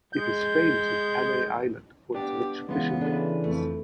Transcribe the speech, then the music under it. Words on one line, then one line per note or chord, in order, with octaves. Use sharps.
It is famous in Panay island for its rich fishing grounds.
G#3 G6
B3 D4 G4
C#3 E3 G#3 B3 F4
D4 A4 B4
F2 A3